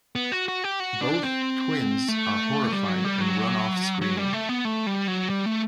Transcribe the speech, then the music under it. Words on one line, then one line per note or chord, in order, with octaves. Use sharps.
Both twins are horrified and run off screaming.
B3
F#4
F#4
G4
F#4
D4
C4
A3
G3
F#3
G3
F#3
F#3
G3
A3
B3
A3
G3
F#3
G3
A3